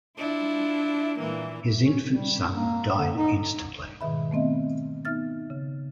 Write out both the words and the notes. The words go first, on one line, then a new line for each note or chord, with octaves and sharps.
His infant son died instantly.
D4 E4 F4
A#2 E3 A#3
C#4
G3
A#3
D3
D#4
G#2 B2 D#3 E5 B5
A3 B3 C4 D#5 E5
B3 D#4 E5 F6 A6
C#3